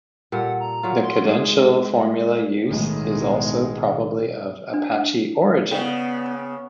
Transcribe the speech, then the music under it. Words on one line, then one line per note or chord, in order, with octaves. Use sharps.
The cadential formula use is also probably of Apache origin.
A#2 G3 A4 F#5
A#5
A#2 F#3 F4
C6
G#2 G#3 G#4
B1 A2 D#3 G#3
D4
C#3 B3 D5 G5